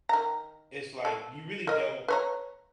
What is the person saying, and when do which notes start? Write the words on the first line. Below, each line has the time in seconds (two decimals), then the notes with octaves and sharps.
it's like you really don't,
0.09 D#3 A#5
1.05 A4
1.67 A#4 D#5
2.08 B4 C#5 A#5